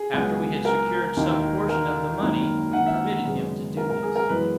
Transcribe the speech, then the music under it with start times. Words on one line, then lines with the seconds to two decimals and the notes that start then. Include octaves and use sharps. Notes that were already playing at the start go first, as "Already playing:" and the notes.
After we had secured some portion of the money we permitted him to do this.
Already playing: G#4
0.14 C#2 C#3 F#3 B3
0.65 A#4
1.17 E1 D#2 D#3
1.69 A#4
2.20 G#1 F#2 D#3 A#3
2.73 F#5
2.86 E5
3.25 G#1 F#2 C#3 G#3 B3
3.77 A#4
3.90 A#4
4.03 G#4
4.16 A#4
4.29 F#2 E3 G#3 B3 B4